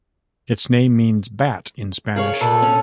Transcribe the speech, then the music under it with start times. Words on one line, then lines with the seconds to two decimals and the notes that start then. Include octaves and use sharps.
Its name means bat in Spanish.
2.16 G#4 A4 C#5 F5
2.41 A#2 A4
2.62 C#4